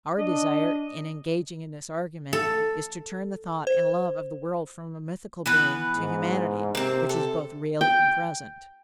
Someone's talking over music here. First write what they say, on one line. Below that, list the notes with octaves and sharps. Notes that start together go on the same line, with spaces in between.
Our desire, in engaging in this argument, is to turn the thought and love of the world from a mythical being, to humanity, which is both real and present.
D4 D#5
A4
C5
E3 B3 B4
G#2
C3 A#3 C4
A4
G5